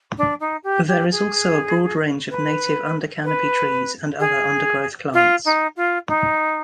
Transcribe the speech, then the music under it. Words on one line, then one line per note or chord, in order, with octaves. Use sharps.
There is also a broad range of native undercanopy trees and other undergrowth plants.
D4
D#4
G4
G4
G#4
B4
B4
G#4
F4
D#4
F4
D#4